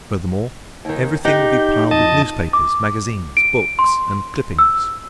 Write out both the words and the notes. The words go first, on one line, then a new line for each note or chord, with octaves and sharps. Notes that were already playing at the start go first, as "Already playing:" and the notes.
Furthermore, everything will be piled with newspapers, magazines, books and clippings.
D#2 D#3
D#4 G4 F#5 G5
F2 D#5 A5
D6
D7
C6
E6